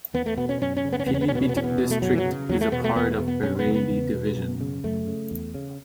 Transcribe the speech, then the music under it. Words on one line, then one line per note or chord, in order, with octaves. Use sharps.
Pilibhit district is a part of Bareilly Division.
E2 B3
A3
B2 B3
C#4
F#2 C#4
C#4
C#3
B3
C#4
E2 B3
C#4
B3
C#4
B2 B3
C#4
B3
E2 C#4
B3
B2
A3
F#2 F#3
E3
F#3
C#3
E2 F#3
A3
B2 B3
A3
E2 B3
B2
B3
F#2 C#4
B3
C#3
B3
E2
B2
F#2
C#3
F#2 A3
C#3
E2
C#3